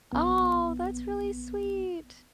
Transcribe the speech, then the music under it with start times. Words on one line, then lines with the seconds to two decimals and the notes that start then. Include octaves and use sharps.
Aw, that's really sweet!
0.13 A#1 B3